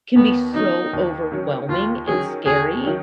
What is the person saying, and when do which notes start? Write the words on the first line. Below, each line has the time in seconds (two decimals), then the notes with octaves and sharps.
can be so overwhelming and scary,
0.16 D#2 B3
0.54 D#3 F#3 C#4 D#4
0.93 D#2
1.32 D#3 F#3 C#4
1.69 D#2 F4
2.07 D#3 F#3 C#4 G#4
2.45 D#2 G#4
2.84 D#3 F#3 C#4